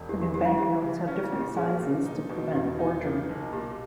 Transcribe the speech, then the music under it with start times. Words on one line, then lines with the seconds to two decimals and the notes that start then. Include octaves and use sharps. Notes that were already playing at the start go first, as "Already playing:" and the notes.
The new banknotes have different sizes to prevent forgery.
Already playing: E1
0.09 E3 G4
0.21 G4
0.34 E3 G4
0.45 E4
0.58 E3 G4
0.82 C#3
1.07 C#4
1.24 E4
1.32 A#2
1.40 G4
1.56 C#4 G#4
1.81 A#2
2.06 D#4
2.30 B2
2.54 E2 G4
2.79 D#4
3.03 A#3
3.29 B1
3.52 A#2 G4